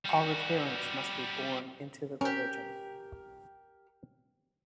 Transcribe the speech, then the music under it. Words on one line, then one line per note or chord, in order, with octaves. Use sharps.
All adherents must be born into the religion.
G3 F#4
C#4 G4 A#4